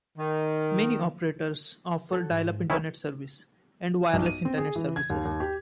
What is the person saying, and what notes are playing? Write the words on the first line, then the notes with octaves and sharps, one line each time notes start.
Many operators offer dial-up internet service, and wireless internet services.
D#3
F#4 A4
G#2
D2 D#3 C#4 E4
B1
D#7
C4
G#4
E3
G#6
D#2
D#2
G4